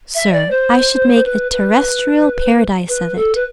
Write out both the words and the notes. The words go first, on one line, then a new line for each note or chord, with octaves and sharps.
"Sir, I should make a terrestrial paradise of it."
E5
D5
C5
B4
B4
B4
A4
B4